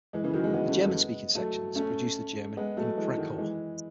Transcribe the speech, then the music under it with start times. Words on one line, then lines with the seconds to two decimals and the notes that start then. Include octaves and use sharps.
The German-speaking sections produce the German "Inprekorr".
0.13 E3 G#3
0.24 C#3 E3
0.34 D#3 F#3
0.44 E3 G#3
0.54 G#3 B3
0.68 A3 C#4
0.81 G#3 B3
1.35 F#3 A3
1.75 A3 C#4
2.57 G#3 B3
2.77 F#3 A3
2.97 E3 G#3
3.17 D#3 F#3
3.38 E3 G#3